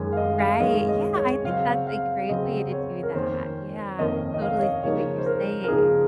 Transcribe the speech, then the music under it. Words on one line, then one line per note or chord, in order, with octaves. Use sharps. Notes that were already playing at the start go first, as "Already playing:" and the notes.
Right, yeah, I think that's a great way to do that. Yeah, I totally see what you're saying.
Already playing: F#2 D#3 G#3 C#4 G#5
F5
D#5
F5
F#2 D#3 G#3 C#4 D#5
D#5
C#5
C#3 F#3 C4 F5
F5
C#3 F#3 C4 D#5
C#5
A#4
F2 D#3 A#3 C#4 C5
F2 D#3 A#3 C#4 D#5
D#5
F5
C#5
D#5
C#3 F3 A#3 D#4 C#5
C5
A#4
A#4
C#3 F3 A#3 D#4 G#4